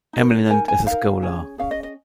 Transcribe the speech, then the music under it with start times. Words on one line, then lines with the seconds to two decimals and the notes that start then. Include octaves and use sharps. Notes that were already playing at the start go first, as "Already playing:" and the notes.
Eminent as a Scholar.
0.13 D#4 A#4
0.49 D#4 A#4 G#5
0.68 G#5
0.86 D#4 A#4 F5
1.22 C#4 G#4
1.58 C#4 G#4 F5
1.71 D#5
1.83 D#5